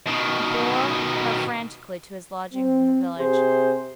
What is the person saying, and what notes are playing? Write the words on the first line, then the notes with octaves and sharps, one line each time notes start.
He bore her frantically to his lodgings in the village.
B2 D#3
C4
C3 G4 G#4 C5